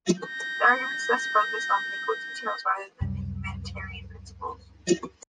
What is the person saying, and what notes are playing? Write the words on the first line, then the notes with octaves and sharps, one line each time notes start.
The arguments thus focused on legal details rather than humanitarian principles.
G6 A#6
C#2 F#2 C3 G3